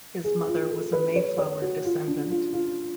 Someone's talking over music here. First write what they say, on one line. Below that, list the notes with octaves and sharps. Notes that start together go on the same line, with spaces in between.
His mother was a "Mayflower" descendant.
G#4
F4
A4
B4
C#5
C#5
F#4
F4
D4
F4
F4